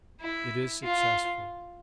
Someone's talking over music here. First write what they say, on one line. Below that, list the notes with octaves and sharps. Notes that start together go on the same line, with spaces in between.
It is successful.
E4
F4